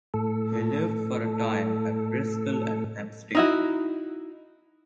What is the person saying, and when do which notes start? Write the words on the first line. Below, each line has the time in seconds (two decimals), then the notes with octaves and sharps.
He lived for a time at Bristol and Hampstead.
0.14 A2 A4
3.35 D#4 E4 F#4